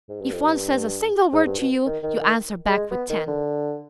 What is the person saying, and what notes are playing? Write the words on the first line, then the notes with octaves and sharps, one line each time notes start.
If one says a single word to you, you answer back with ten.
G#2
G2
F2
G2
G#2
G2
B2
D#3
D#3
D#3
G#3
B3
D#3
D3